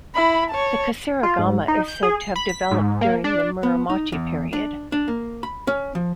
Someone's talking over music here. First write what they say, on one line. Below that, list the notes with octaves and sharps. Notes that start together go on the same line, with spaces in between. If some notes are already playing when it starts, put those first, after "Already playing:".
The kusarigama is said to have developed during the "Muromachi period".
E4 B5
C#5 A5
F4
G#2
D#4
G6
G#4
C7
B5
B6
G#2
A#3
D4
B3
D#4
E2
D4
D4
A#3
B5
C#4
F3